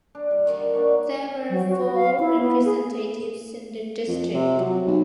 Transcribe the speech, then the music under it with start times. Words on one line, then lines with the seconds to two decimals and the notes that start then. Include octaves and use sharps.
There were four representatives in the district.
0.15 D4
0.31 G3
0.46 D3 D#3
0.74 A#3 D4 C#5 F#5
1.50 F#3
1.69 F#4
1.95 F5
2.20 E4
2.40 B3
2.65 G#4
4.08 F2
4.34 C3
4.60 F#3
4.87 B1